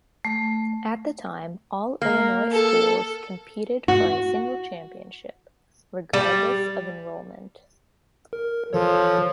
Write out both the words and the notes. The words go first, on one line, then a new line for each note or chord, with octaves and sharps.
At the time, all Illinois schools competed for a single championship, regardless of enrollment.
A3
A#3
A4
F#4
G3
A#4
E3 F3 A4 C#5